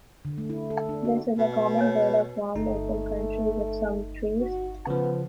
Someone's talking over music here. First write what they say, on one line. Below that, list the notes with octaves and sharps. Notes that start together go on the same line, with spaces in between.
This is a common bird of warm open country with some trees.
D3
A3
E4
A4
D4
F#4
B2
C#5 D#5 G#5
G1 A3 D#4
F#4
C#3 F3 B3